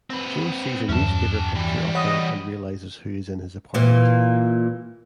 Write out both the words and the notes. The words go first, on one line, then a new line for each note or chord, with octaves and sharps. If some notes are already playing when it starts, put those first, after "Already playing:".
Joe sees a newspaper picture of her and realizes who is in his apartment.
C4 B4
E2 G2 F#3 C#4 A5
E3 G3
C#5 D#5 F#5 B5
A#2 E3